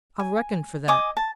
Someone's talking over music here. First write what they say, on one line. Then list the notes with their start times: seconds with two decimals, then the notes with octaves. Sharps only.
'I've reckoned for that.
0.19 G#5
0.88 D#5 G#5 D6 D#6
1.17 A5